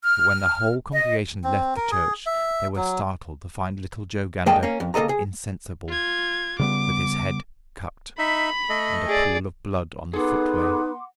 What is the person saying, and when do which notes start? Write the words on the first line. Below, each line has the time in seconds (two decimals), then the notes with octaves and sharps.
But when the whole congregation left the church they were startled to find little Joe Gander insensible, with his head cut, and a pool of blood on the footway.
0.04 F6
0.93 D#5
1.44 C4
1.76 A#4
1.91 G#4
2.26 E5
2.76 F#3
4.46 D3 G#3 A#3 D#5 G5 A5
4.63 A#3 C#4
4.80 F2
4.94 C#3 A#3 A4 D#5 A#5
5.09 G#4
5.88 F4 G#6
6.59 C#3 G3 B3 D6
8.19 D#4 E5 B5
8.69 A3 A4 D#5
9.07 G#4 D5
10.13 B3 D#4 G#4 A4 F#5 C6 D6